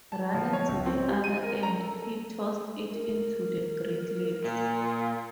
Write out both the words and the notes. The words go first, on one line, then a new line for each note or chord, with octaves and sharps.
Running to the other end, he tossed it into the Great Lakes.
A5
F3
C#5
C#2
C4
G3
D#7
A#4
A#5
A4
A#4
A#2